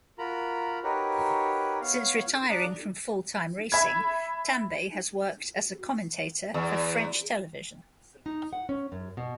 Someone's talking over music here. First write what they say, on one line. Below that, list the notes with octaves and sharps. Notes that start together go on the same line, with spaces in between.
Since retiring from full-time racing, Tambay has worked as a commentator for French television.
F4 F#4 A#4 A#5 B5
D#4 F#4 G4 A#4 B4 C#5
B3 C#5 F5
D4 D5 A#5 D6 D#6 F#6
E5 B5 G#6
E2
D#4
F#5
C#4
F#2
B2